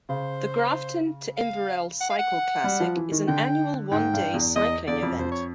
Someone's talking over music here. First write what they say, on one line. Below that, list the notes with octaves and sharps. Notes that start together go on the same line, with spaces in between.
The Grafton to Inverell Cycle Classic is an annual one day cycling event.
C#3 C5
F5
F#5
F5
F#5
G3
F3
E3
D#3
D3 G5
G#2 G5
G2
E2
E2 D#5
E2 D5
F2
F2 C5
C#5